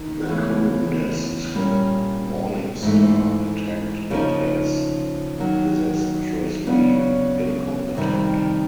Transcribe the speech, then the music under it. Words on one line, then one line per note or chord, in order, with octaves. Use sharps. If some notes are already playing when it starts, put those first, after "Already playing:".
The Communist "Morning Star" attacked it as "disastrously incompetent".
Already playing: D#3
E2 C#3 E3 A3
A#2 G3 A#3 C#4
G#2 E3 A3
C#3 F3 A#3 D#4
D#3 F#3 A#3
C#3 F#3 B3 D4
F2 C3 D#3 G3